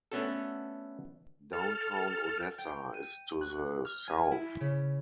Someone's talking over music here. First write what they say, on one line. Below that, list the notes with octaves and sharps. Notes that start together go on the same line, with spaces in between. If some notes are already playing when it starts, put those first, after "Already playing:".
Downtown Odessa is to the south.
A3 B3 C#4 D4 F#4 A4
A4 F6
G5
D#7
F#6
F6
G#5
E4
C#3